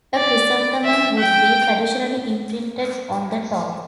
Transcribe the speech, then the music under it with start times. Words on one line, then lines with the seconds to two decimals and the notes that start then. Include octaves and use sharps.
A chrysanthemum would be traditionally imprinted on the top.
0.16 D5
0.85 E5
1.19 G5